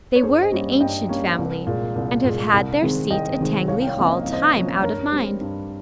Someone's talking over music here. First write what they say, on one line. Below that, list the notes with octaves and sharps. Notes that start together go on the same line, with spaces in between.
They were an ancient family, and have had their seat at Tangley Hall time out of mind.
C#5
G2 G#4 C5
C5 D#5
G3 A#3 C#4
G2 D#5 G5
G3 A#3 C#4
C2
A#2 G#3
C2
A#2 G#3
C2
C3 D#3 G#3 C4
C2 D#5 G5
C3 D#3 G#3 C4
C2 C#5 F5
G5
C#5 F5
C3 F3 A#3 C#4
D#5
F5
C2
C5 D#5
C3 F3 A#3 C#4
G2 A#4 C#5
G3 C4
G2